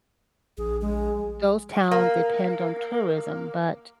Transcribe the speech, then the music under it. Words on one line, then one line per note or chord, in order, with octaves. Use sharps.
those towns depend on tourism, but,
A#1 G#4
G#3
A#3 A#4